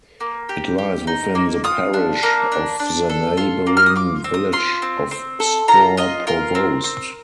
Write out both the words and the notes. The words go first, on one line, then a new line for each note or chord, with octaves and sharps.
It lies within the parish of the neighbouring village of Stour Provost.
A#3
G4
G4
D#4
A#3
F4 D#6
D4
A#3
D4
D4
A4
F4
A#3
F6
D#6
F4 D6
C4
D#6
F4 C6
C4
C4
A4
F4 A#5
F4 D#5
F4 A#4
C4
C4